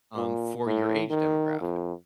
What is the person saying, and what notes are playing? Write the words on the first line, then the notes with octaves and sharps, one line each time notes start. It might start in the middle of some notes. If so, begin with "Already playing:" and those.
um, for your age demographic.
A#2
A2
D#3
F2